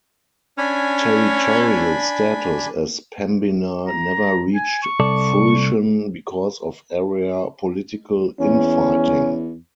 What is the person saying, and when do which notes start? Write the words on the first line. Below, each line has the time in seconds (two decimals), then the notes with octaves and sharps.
Territorial status as Pembina never reached fruition because of area political in-fighting.
0.58 C#4 D4 G#5 B5
3.88 A#5
4.55 G#5
4.83 C#6
5.00 C2 A4 D5
8.40 E2 C#4